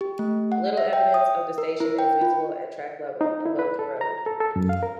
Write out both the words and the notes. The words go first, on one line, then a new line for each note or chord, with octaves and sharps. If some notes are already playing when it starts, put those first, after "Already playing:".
Little evidence of the station is visible at track level, above the road.
G4
A3
F#5
E5
G5
D#6
A#4
E4
G5
F4
D#4
E4
B4
A4
A#5
A4
A4
F#2
F5
A#4